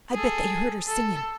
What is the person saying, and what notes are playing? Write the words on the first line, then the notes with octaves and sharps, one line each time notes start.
I bet they heard her singin'!
G#4 A4
A4